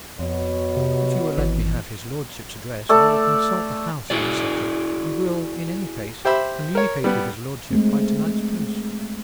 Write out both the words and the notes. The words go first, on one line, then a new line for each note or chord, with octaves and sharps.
If you will let me have his lordship's address I will consult the House on the subject, and will, in any case, communicate with his lordship by to-night's post.
F2 B2 F#4 C#5
C3
G#1 E3
A3 A4 D5
E4 F#4 G#4 D5
G4 C5 E5 B5
A#4 C#5
G3 B3
G#3 A3 C4